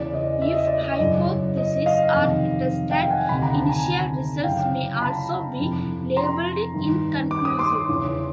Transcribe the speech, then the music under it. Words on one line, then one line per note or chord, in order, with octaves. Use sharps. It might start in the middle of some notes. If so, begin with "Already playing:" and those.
If hypotheses are tested, initial results may also be labeled inconclusive.
Already playing: E2 C#3 E3 D5
D#5
E5
D#5
D5
D#5
F#2 C#3 E3
D#5
D#5 F5
F2 C3 D#3
F5 G5
F#5 G#5
D2 C3 D#3 B5
A#5
A5
G#5 A#5
F#2 C#3 E3 F5 G5
A#5
A5 B5
F2 C3 E3
A#5 C6
G2 D#3
D6
D#6
C6 D6
E2 C#3 E3